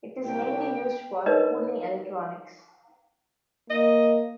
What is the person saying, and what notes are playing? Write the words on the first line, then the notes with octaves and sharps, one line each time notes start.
It is mainly used for cooling electronics.
C2 G5
D4 D#4 A#4 B4 C#5 D#5
A#3 D#5